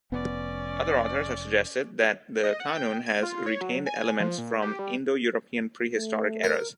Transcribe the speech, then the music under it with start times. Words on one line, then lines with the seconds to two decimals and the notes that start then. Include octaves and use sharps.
Other authors have suggested that the Kanun has retained elements from Indo-European prehistoric eras.
0.12 F1 B3 C#4 D5
2.44 D#5
2.60 F#5
2.75 G5
3.06 G#6
3.23 F4
3.46 C#5
3.61 F#3
3.86 G#5
4.20 F3
4.38 A#2
4.62 G4
4.79 G3
5.97 A3
6.44 A#4